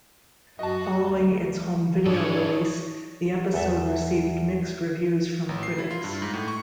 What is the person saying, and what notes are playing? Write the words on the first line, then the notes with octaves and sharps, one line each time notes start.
Following its home video release, the episode received mixed reviews from critics.
F#2 F#4 D#5 A5
D2
G#2 D4 E4 G#4 A4 C#5
E2 A4 E5
A1
C7
E4
F4
G2
G#2
A2
C#6